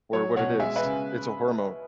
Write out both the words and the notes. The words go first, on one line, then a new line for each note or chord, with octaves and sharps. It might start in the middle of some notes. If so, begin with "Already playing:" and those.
or what it is? It's a hormone.
F#3 C#5
B2 C#5 F#5
G#3 E5 G#5
B4 E5
C#3